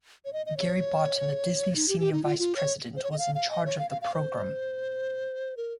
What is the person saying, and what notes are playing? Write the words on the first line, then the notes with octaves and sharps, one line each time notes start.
Gary Barton, a Disney senior vice president, was in charge of the program.
C#5
D#5
D#5
C#5
D#4
G4
G4
D#4
F4
F4
C#5
C5
C#5
D#5
F5
F5
D#5
C#5
F5
F5
F5
C5
A#4